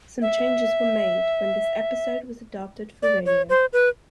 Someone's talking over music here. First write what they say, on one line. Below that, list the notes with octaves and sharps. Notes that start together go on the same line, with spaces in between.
Some changes were made when this episode was adapted for radio.
E5
D5
C#5
C5
B4